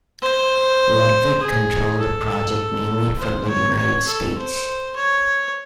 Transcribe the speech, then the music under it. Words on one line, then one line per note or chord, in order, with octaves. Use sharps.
Ludwig controlled the project mainly from the United States.
C5
G#4
A4
C5
C#5
C#5
A4
C5
C#5